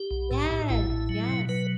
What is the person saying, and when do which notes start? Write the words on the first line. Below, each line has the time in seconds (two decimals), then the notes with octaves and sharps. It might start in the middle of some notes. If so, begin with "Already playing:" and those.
Yes! Yes.
Already playing: G4
0.11 B1
0.31 A2
0.50 A2
0.70 A1 E4
0.90 A2
1.09 F#3
1.29 B2
1.49 F#3 B4